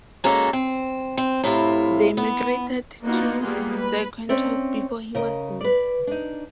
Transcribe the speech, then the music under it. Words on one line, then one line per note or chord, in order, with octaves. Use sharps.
They migrated to Zakynthos before he was born.
G#3 A#3 C#4 F#4 A4
C4
C4
A2 C3 E4 F4
B3
A#3 B3 D4 D#4 F4 F#4
G3 G#3 A#3 B3 F4 G#4
B4
C4 C#4 D5 E5
C#3 A#4 D#5
B4 D5
D4 D#4